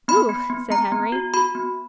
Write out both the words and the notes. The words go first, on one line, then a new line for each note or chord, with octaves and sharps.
"Whew!" said Henry.
B3 B5
B3
B3
B3 A#5
B3
F#4
F#4 B5
B3